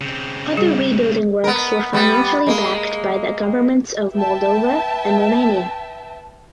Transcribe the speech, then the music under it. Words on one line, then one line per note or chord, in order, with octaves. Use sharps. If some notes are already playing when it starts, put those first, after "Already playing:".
Other rebuilding works were financially backed by the Governments of Moldova and Romania.
C#3 C4
G3 G#4
B3 A#4
G3 B3
G#3 A#3
B4 E5 G5 A5